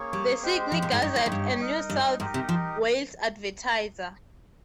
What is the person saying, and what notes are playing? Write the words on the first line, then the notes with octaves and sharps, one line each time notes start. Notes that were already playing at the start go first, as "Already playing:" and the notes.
The Sydney Gazette and New South Wales Advertiser.
Already playing: A#3 C#4 G#4 C#5
G3
G#3 C4 G4 C5
F3
A#2
G#2
G2 D#4 G4 C#5
G#2
G#2
G2
D#4 A#4 D#5
G2
G#2 D#4 G4 A#4 D#5
C3
F3